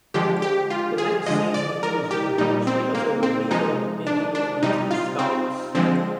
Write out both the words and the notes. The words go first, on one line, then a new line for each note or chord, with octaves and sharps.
The next season, he was used mostly as a reliever, making only two starts.
D3 F3 G#3 G4
G4
F4
G#4
D3 F3 G#3 D#5
D5
A#4
G4
A#2 G3 D#4
C4
A#3
C4
C3 F3 G#3 D#4
D4
D4
C3 G3 D#4
F4
C4
D3 F3 G#3 C4